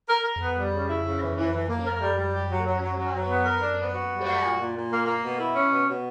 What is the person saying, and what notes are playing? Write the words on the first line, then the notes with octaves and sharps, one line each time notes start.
When he is cured, his testimony frees the girl.
A#4
A#4
B3
G3
C#3
E4
C#3
E3
E3
E3
A#3
A#4
G3
G3
G4
F#3
F#3
F#3
F#3
F#3
B3
A#4
D4
B3
F#4
G3
F#4
A#2
A#2
A#2
A#3
A#3
B2
E4
C#4
B2
B2